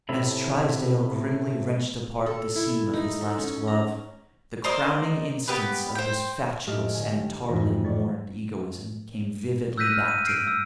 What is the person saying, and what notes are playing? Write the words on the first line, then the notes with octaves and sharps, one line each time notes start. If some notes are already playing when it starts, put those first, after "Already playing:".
As Trysdale grimly wrenched apart the seam of his last glove, the crowning instance of his fatuous and tardily mourned egoism came vividly back to him.
A2 C3 E4
A4
E4
D#4
A4
C#4
A#5
A#4 C5 D5 D#5
B3 G4 B4
C5 G5
A2 G#3 A3 G4 F6 D7
G1 G#5
G5
F2 G#2 E3 C#4 F#4 A#6
D5 C#6 A6 B6
E6 F#6 G6 A#6 B6 D#7
F6
D#7
F6 G6 C7 D7 D#7
E6